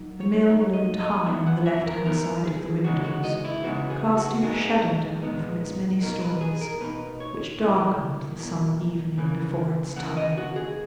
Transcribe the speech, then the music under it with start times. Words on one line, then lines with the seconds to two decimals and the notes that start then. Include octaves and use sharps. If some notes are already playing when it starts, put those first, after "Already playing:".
The mill loomed high on the left-hand side of the windows, casting a shadow down from its many stories, which darkened the summer evening before its time.
Already playing: F#3 A#3 D#4
0.21 C#5
0.47 F#3 A#3 D#4 C#5
0.73 D#5
1.00 D#5
1.26 E3 B3 D#4 E5
1.46 F#5
1.66 E5
1.86 A#4
2.05 E3 B3 D#4 A#4
2.45 G#4
2.84 C#3 E3 G#3 B3 D#4 F#4
3.04 F#4
3.24 D#5
3.45 E4
3.64 C#3 E3 G#3 B3 D#4 F#4
3.90 G#4
4.17 F#4
4.42 A#2 G#3 B3 D#4 G#4
5.22 A#2 G#3 B3 D#4
6.01 B2 A#3 D#4 A#4
6.21 B4
6.41 G#4
6.61 A#4
6.81 B2 A#3 D#4 B4
7.20 C#5
7.59 B2 A#3 E4 D#5
8.39 B2 A#3 E4
9.17 C#3 E3 A#3
9.96 C#3 E3 A#3 F#5
10.17 D#5
10.37 F#4
10.56 G#4